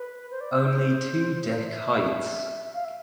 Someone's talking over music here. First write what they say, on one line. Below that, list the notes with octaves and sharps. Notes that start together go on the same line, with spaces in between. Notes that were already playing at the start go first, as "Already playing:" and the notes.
Only two deck heights.
Already playing: B4
C5
D5
C5
C5
E5
E5
F5
E5